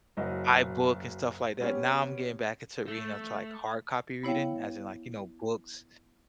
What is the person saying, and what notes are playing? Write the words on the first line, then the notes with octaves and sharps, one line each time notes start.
iBook and stuff like that, now I'm getting back into reading into, like, hard copy reading, as in, like, you know, books
F#1 F#3 D#5
B3 C#4 G4
A3
B3 E4 C#5 F5 G5